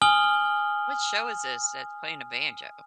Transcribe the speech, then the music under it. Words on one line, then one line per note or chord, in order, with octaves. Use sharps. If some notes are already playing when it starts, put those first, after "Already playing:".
Which show is this that's playing a banjo?
G#5 D#6 F6 F#7 G7